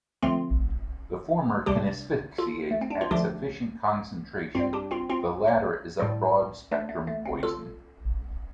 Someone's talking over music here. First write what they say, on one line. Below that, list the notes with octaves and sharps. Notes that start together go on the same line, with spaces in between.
The former can asphyxiate at sufficient concentration; the latter is a broad spectrum poison.
D2 D3 F3 A3 C4 F4
D2 C3 G3 D4 G4
F4 A4
A3
C4
D4
F4
D2 D3 F3 A3 D4 G4
G2 G3 C4 F4
D4 G4
C4 F4
C4 F4
A2 G3
A3 D4
A3
A3
C4
F4 A4